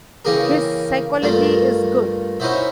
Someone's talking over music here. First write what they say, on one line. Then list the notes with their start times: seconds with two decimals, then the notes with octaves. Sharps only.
His psychology is good.
0.25 C#3 E3 A#3 G4 G#4 A#4
1.22 G2 A3 A#3 F4
2.40 C#4 D#4 E4 F#4 C5 E5